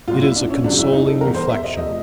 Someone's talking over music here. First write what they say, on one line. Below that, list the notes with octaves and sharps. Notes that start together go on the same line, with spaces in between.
It is a consoling reflection.
C2 A#2 F#3 F4
E4
D4
C#4
C#2 C#3 F#3 D4
E4
D#4
A4
E2 B2 G3 A#4
C5
E5
D#5
F1 C3 F3 A3 D#5